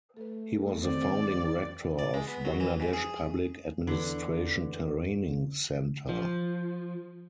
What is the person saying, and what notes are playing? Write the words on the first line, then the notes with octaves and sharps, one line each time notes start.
He was the founding Rector of Bangladesh Public Administration Training Centre.
A3 A4 B4
D#3 C4 D5
D5
G#3
B3
F#3
E3
G#2
G#4
E2 D3
F3